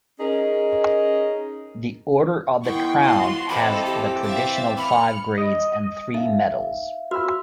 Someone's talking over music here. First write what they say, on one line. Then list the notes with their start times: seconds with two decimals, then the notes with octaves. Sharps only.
The Order of the Crown has the traditional five grades and three medals.
0.20 C#4 D#4 G#4 A#4 D#5
2.64 D#3 B3 E4 G5 C6 C#6
3.00 F4 F#4 C6
3.49 E3 C4 A4 D#5 F5 B5 D6
3.86 G4
4.23 E5 F5 G5 A6
4.77 B5 F6 C#7
5.38 D#5
6.14 D#4 E5 F5
7.11 F#4 B5 E6 F6